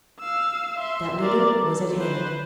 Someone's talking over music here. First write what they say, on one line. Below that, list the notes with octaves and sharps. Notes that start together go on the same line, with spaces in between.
That leader was at hand.
F5 E6
E5 C6
A#4 D5
A4
B4 C5